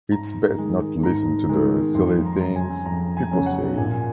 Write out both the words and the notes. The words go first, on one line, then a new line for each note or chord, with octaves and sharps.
It’s best not to listen to the silly things people say.
G#2 A#5
D#3 G#3
G#2 A#5
D#3 G#3
F2 C6
A#5
C6
C#3 F#3 A#5
G#5
F2 A#5
G#5
C#3 F#3
F#5
A#2 G#5